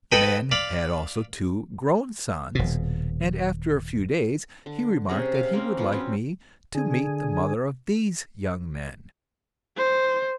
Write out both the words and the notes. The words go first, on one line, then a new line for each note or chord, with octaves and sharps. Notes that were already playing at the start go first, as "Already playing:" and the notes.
The man had also two grown sons, and after a few days he remarked that he would like me to meet the mother of these young men.
A4 B4 D#5 F#5 G5 B5
D5 F5 B5
D#1 B2
D3
C3 C#4 G#4 A#5
F5
A#3 C4 C#4
F3 B3
F#3 C4 C#4
D3 G#4
C5